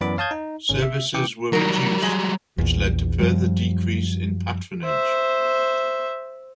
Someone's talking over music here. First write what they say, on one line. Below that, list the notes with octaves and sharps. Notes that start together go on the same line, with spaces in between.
Services were reduced, which led to further decrease in patronage.
F#2 E3 B3 D5 B5 D6
C#5 F5 A5 D#6 G6 G#6
D#4
G#1 C#4
E5
C#3 E3 G5 D6 C#7
D#3 F#3 G3 A#4
G#3
A#1 E2
F#2 F3 G3
C5 E5